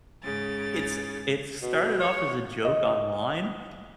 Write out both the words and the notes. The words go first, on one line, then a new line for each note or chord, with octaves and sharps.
It s it started off as a joke online,
G#2 C#3 A6
B2
C#5
D#5